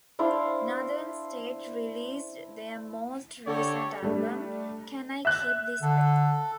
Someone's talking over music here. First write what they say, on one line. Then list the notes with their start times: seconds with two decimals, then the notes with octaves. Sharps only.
Northern State released their most recent album, Can I Keep This Pen?
0.19 D4 E4 C5 F5
3.47 D3 G4 A4 C#5
4.03 G3 A3 D4
5.25 E5 F#6
5.82 D3 A4